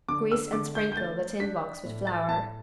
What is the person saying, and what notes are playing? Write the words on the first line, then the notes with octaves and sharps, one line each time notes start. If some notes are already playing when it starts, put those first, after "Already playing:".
Grease and sprinkle the tin box with flour.
D3 D6
E6
D3 D6
G6
G6
A3 A6
D4 B6
A2
A6
A2 A5